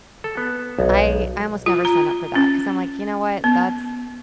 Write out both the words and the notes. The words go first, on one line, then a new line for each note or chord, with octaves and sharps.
I I almost never sign up for that 'cause I'm, like, you know what? That's
A4
B3
B1
F4
A#5
C#4
B3